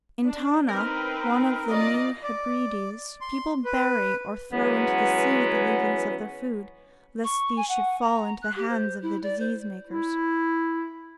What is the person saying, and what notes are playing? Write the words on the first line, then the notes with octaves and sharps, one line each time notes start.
In Tana, one of the New Hebrides, people bury or throw into the sea the leavings of their food, lest these should fall into the hands of the disease-makers.
D4
C4 D#4 A#4 B4
F4 D5 D#5
D5
C6
B4
E3 F#3 G#3 B3 C#4
C#6
G#5
F#5
A#5
F#6
G4
C5
E4
D5
C5
E4